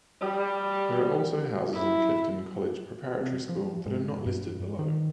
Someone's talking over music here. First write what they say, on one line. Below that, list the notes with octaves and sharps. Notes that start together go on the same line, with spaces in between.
There are also houses in Clifton College Preparatory School that are not listed below.
G3
E4
C3
F3
G#2
G2
D#3